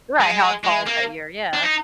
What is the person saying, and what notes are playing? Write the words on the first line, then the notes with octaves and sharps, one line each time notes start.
Right, how it falls that year, yeah.
G#3
G#3
A#3
D4
D#4